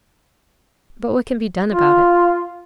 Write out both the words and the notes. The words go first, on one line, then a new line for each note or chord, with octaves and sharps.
But what can be done about it?
F4